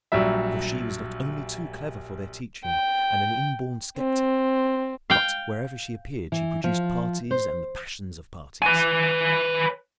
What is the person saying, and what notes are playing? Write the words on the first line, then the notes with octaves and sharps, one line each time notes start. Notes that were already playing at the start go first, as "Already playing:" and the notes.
For she was not only too clever for their teaching, and an inborn sceptic, but wherever she appeared she produced parties and the passions of parties.
A#1 F#3 G3 E5
G5
C4
F5 G5
E3
F3
C5
B4 G#5